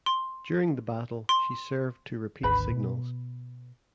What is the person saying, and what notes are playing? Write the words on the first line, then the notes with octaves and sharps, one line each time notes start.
During the battle she served to repeat signals.
C6
C6
G#1 D2 D3 B4 B5
B2